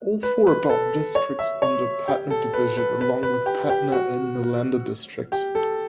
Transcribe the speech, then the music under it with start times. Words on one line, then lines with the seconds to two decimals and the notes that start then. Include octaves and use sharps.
All four above districts falls under Patna Division along with Patna and Nalanda District.
0.23 B4
0.47 B4
0.69 A4
1.15 C#5
1.39 E5
1.62 C#5
2.08 G4
2.30 A4
2.54 B4
2.77 B4
3.01 B4
3.23 B4
3.46 G4
3.70 G4
3.92 F#4
5.32 G4
5.55 A4